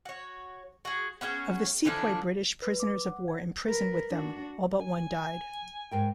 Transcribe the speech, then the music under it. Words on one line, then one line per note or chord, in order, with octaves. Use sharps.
Of the sepoy British prisoners-of-war imprisoned with them, all but one died.
F#4 C#5
F#4 G#4
B3 C#4 F#4 G#4
D3 E3 F3 D4
B4
D6
F#5
G#6
A#4 B4
D4 F#4
G#5
G#2 A#4 G5